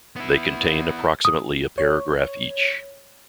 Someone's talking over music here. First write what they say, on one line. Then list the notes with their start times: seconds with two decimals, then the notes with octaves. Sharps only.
They contain approximately a paragraph each.
0.16 B3 E4
1.25 D#6
1.78 C#5